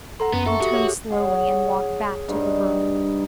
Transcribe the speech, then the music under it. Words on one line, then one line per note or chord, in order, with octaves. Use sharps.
He turned slowly and walked back to the girl.
A4 F#5 A#5 C6
F#2 B3
A4 E5 C#6
F#4 G4 A4
G#4 C#5
G#4 C#5 F#5 G#5
G2 G3 D#4